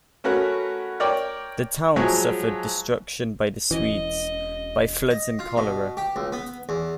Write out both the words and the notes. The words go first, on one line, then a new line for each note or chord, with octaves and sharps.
The town suffered destruction by the Swedes, by floods and cholera.
A3 C#4 F#4 A#4 B4
A#4 C#5 D5 G5
F3 F#3 G#3 G#5 C#6
E1 E3 C#4 D#5
D#5
F4
B2
G4
C#2
B3
E2